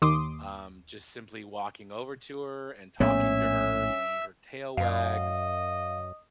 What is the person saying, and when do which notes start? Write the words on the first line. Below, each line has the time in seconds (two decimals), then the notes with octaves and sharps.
um, just simply walking over to her and talking to her, you know, her tail wags,
0.02 D#2 C6 D6 D#6
3.00 A#1 A2 B3 C#4 C#5 E5
4.77 F#2 D#5 F5